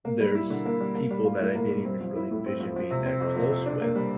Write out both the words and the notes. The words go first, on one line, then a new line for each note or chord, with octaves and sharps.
there's people that I didn't even really envision being that close with
A#3
G3
E4
D3
A#3
G3
A#3
G3
F4
A2
A#3
G3
C4
F3
E4
A2
C4
F3
F3
C3
C4
F2
F3
C3
D4
A#3
G3